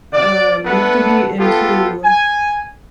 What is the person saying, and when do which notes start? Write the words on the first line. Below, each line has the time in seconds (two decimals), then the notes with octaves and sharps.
um, you have to be into
0.14 D5
0.65 A3 B3 D4 A4 B4 F#5
1.39 B3 F4 G4 A4
2.04 G#5